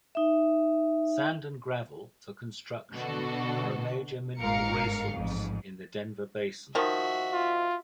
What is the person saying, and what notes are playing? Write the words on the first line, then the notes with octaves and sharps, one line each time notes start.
Sand and gravel for construction are a major mineral resource in the Denver Basin.
D#4 E5
B2 D3 F#4 A4
G1 G#2 A#4 F5 C#7
A1 F2 G#2
D#3 F3 F#4 E5
F4